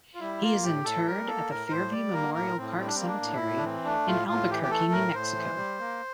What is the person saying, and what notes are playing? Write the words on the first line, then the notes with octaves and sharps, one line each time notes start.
He is interred at the Fairview Memorial Park Cemetery in Albuquerque, New Mexico.
F4
G3 E4
A#3 F4
A2 G4
A2 A4
G3 A#4
A#3 A4
A2 A#4
A2 C5
G3 D5
A#3 A#4
A2 A#4
A2 C4
G3 C4
D4
A#3 C4
D4
A2
E4
A2
D4
E3 C4
A3 D4
A2 F4
A2 F4
E3 G4
G4
A3 A4
A2 A#4
A2 C5
E3
G3
A#3